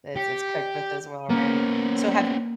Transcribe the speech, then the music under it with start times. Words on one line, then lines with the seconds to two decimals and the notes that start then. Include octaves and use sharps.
It's it's cooked with as well, right? So have y
0.17 G4 C#7
1.30 A#3 B3 C#4